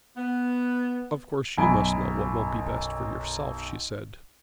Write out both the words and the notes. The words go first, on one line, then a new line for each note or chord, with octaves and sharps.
"Of course you must know what will be best for yourself;" she said.
B3
B1 F#2 G#5 B5 D7